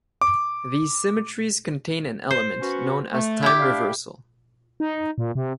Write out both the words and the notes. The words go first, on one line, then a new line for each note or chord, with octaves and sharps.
These symmetries contain an element known as time reversal.
D6
C5
B3 C#4 F#4
A3
E4 G4
D4 F5
D#4
A#2
C3